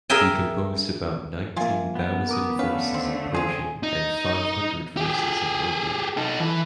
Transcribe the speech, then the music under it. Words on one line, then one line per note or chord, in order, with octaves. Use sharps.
He composed about nineteen thousands verses in Persian and five hundred verses in Urdu.
G#4 A#4 E5 G5 G#5
C3 F3 A#3 F4 G#5
B3
A#4 D6 D#6
D3 A3 C#4 B4 F5
C4
C4 F4 G#4
D#4
G4 G#4
D#4 A4
E3